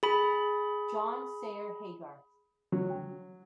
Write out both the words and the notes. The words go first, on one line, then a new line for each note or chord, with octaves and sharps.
John Sayer Haygarth.
G#4 B5
F#3